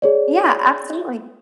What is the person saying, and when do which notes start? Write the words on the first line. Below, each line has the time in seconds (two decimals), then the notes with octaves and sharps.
Yeah, absolutely.
0.02 G#4 C#5 D5